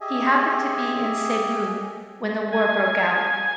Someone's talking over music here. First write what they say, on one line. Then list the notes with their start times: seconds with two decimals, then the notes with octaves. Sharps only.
He happened to be in Cebu when the war broke out.
0.01 G4 G#4 D#5 E5 G#5
2.52 G#5